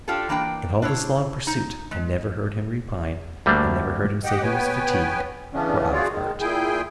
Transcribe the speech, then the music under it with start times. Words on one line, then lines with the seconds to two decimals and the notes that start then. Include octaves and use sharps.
In all this long pursuit, I never heard him repine; I never heard him say he was fatigued, or out of heart.
0.08 D4 F4 G4 A4
0.29 E3 A#3 D4 E5 G5
0.82 D4 E4 C5 C#5
1.47 D#4
1.91 G#3
3.46 D2 G3 A3 A#3 D4
4.24 G4 D#5 F#5 G5
4.42 B3 B4 C#5 G5 G#5
5.53 C#3 E3 A3 B3 C#4 D4
5.92 F4 F#4 G#4 C#5 D5
6.11 D#3 G#3
6.41 A#2 E4 G#4 G5 G#5 G6